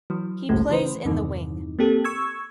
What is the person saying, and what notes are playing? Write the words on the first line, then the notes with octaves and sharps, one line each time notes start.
He plays in the wing.
E3 F#3
G#1 C#2 G2 A#2 C#3 A3
C#3 E3 B4 C5
E2 G2 C3 D#3 E3
A#3 C4 G4 A4
C#6 E6 G#6